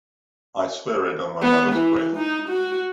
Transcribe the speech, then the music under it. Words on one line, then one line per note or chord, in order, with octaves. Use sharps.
I swear it on my mother's grave.
B3
E3
D#4
F#4